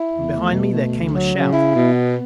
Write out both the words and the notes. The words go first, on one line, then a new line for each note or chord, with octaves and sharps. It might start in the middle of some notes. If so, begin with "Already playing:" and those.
From behind me there came a shout.
Already playing: E4
E2
A3
B2
A3
D2
F#3
C#3
E4
B2
B3